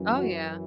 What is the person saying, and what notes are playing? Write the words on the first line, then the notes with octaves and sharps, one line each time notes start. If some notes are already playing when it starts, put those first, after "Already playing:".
Oh, yeah.
Already playing: F#2 E3
F#4